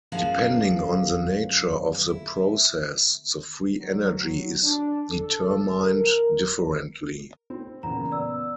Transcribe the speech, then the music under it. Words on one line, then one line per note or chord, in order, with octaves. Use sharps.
Depending on the nature of the process, the free energy is determined differently.
F#2 F3 F#4 G#4 F5 A5
E4
F#3
D4
A4
A#4
C4
E2 A#2 C#3 A#5
B3 D5 E6